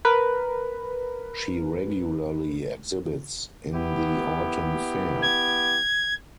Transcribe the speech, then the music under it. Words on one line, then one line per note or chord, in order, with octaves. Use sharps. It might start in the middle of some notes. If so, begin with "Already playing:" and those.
She regularly exhibits in the Autumn Fair.
A#4 B4
B3 E4 G4
G#6